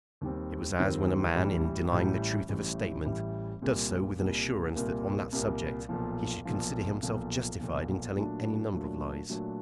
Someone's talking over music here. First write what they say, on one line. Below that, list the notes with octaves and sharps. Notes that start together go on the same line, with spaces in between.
It was as when a man, in denying the truth of a statement, does so with an assurance that on that subject he should consider himself justified in telling any number of lies.
D#2 D#3 G3 C4
D#2 D#3 G3 C4
A1 A2 E3 G3
A1 A2 E3 G3
A1 A2 E3 G3
A1 A2 E3 G3
C2 A#2 G3 A#3
C2 A#2 G3 A#3
C2 A#2 G3 A#3
C2 A#2 G3 A#3
B1 A#2 F3
B1 A#2 F3
B1 A#2 F3
B1 A#2 F3
A#2 F#3 A3 D4
A#2 F#3 A3 D4
A#2 F#3 A3 D4